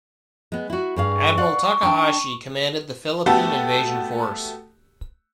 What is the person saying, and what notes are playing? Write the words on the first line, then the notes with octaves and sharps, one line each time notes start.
Admiral Takahashi commanded the Philippine Invasion Force.
G#3 B3
E4 F#4
G2 G#4 F5 C#6
D5 F5 F#5
D4 G5
A3 B3 F#4 G4 A4